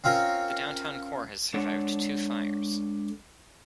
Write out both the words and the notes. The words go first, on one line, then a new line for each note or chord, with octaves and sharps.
The Downtown Core has survived two fires.
C4 C#4 F4 A#4
G#3 D4 A4 C#5 F#5